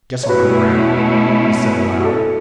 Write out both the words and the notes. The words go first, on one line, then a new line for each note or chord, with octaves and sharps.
Guess I'll go round,' he said aloud.
C#5
B2 A3 C#4 E4 F#4 B4
F#4
A4